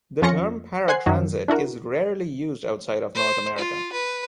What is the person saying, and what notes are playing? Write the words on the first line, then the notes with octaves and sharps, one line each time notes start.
The term "paratransit" is rarely used outside of North America.
F2 F3 C#4 F4 A#6 C#7
C5 F#5 G#5 F#6 G#6 C7
F#2 D#3 F#3
D4 E4 F#4 A#4
C5
F4
B4